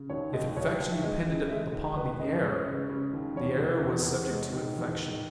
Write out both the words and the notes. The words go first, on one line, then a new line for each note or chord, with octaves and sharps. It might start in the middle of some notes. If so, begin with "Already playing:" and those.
If infection depended upon the air, the air was subject to infection.
Already playing: C#3
D#2 C#5
D#2 D#5
D#2 C#5
D#2
E5
G#3 D#5
C#3
G#3 E5
D#2
D#2 B4
C#3 D#5
B4
G#3 C#5
C#3
C#3
D#2
E2 C#5
E2
E2
E2
G#3
D#3
E2
D#3